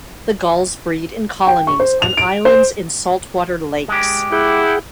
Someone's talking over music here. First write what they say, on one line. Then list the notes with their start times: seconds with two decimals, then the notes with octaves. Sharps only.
The gulls breed in colonies on islands in saltwater lakes.
1.47 G5
1.67 C#6
1.80 C5
2.02 F7
2.17 D7
2.45 C5
3.88 G#3 G4
4.32 E4 G#4 F#5 G5